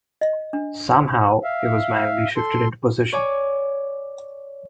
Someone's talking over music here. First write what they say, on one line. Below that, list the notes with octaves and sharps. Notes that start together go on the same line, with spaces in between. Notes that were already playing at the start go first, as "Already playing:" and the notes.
Somehow, it was manually shifted into position.
D#5
D4
E5 F5
A4 C6
C#5 D5 G#5 D6